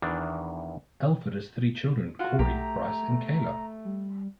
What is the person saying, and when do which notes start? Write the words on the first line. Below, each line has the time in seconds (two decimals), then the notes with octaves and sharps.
Alford has three children, Kory, Bryce and Kayla.
0.02 E2 D#3 E3 D4
2.19 F4 F#4
2.39 B1 A3 G4 A#5
3.85 G3